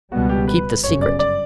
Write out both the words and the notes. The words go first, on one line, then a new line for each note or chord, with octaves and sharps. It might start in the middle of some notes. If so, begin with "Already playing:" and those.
Keep the secret.
C#2 B2 G3 B3 F#4
G4
B4
G1 F#2 C#3 C#5
D5
D5